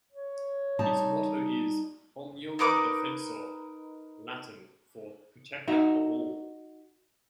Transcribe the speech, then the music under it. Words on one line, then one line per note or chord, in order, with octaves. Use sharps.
Its motto is "Omnium Defensor", Latin for "Protector of All".
C#5
G3 D#4 A5
D#4 A#4 B4 D6
D#4 F#4 E5